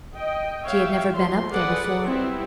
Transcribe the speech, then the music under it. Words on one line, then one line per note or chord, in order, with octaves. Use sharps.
She had never been up there before.
D#5 G5
C#5 E5 F5 G5
F3 C5 C6
G#4 A4 B4 D5 F#5
G3 B3 C4 E4